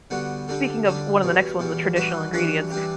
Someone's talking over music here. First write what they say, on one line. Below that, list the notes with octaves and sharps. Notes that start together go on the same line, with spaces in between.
speaking of one of the next ones, the traditional ingredients.
D3 G3 B3 F#4
D3 G3 D4
D3 G3 D4
E2 B2 G3
E2 B2 G3
E3 G3 D4 F#4 B4
E3 G3 D4 F#4 B4
E3 G3 D4 G4